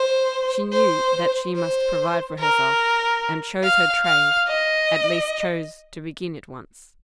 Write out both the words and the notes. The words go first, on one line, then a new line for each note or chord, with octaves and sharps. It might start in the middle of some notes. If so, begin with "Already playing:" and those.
She knew that she must provide for herself, and chose her trade; at least chose to begin it once.
Already playing: C5
C5
C5
A#4
F5
F5
D#5